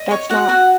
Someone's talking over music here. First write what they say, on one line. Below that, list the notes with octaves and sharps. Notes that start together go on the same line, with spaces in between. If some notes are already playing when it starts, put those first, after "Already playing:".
that's not
Already playing: D#5
C#5
F#4 F#5
F#4 F#5